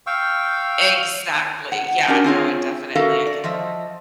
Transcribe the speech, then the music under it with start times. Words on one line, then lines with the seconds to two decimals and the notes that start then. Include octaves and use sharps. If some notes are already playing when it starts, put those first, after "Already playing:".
Exactly, yeah, no, it definitely, it can
0.07 F5 G5 C#6 E6
1.72 F#5
2.08 C#4 D4 F#4 G4 A#4
2.24 C4 F4 G#4 C#5
2.95 F#4 A4 A#4 E5 F5
3.27 D5
3.44 F3 D#5 E5